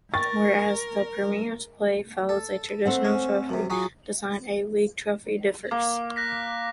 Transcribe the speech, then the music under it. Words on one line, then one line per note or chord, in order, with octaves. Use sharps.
Where as the Premier's Plate follows a traditional trophy design, the A-League Trophy differs.
A#4 C#6 A6
A4
A3 C4 C5 F#5
C#4
F#2 C3 A#4
F#3 F4 F#4 G#4
A#3 D6
F#6 A#6 B6